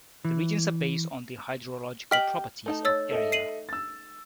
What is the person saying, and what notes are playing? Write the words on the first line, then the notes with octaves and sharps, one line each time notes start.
The regions are based on the hydrological properties of area.
E3
G4 D#5 G5 F6 B6 F#7
A3 D#4 A5
C#5 E6 A6
A4 D#5 E5
C7 D#7 F#7
E6 A6